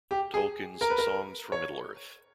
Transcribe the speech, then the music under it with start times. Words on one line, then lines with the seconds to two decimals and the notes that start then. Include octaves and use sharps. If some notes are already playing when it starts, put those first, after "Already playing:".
Tolkien's Songs from Middle-earth.
0.11 G4
0.34 G#4
0.81 A#4
0.90 B4
0.98 A#4
1.52 C#5